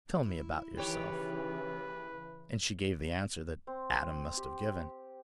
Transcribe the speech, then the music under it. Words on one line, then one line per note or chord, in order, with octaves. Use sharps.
"Tell me about yourself." And she gave the answer that Adam must have given.
E4
D#2 C#3 E3 G4 B4 C#5
C4
G4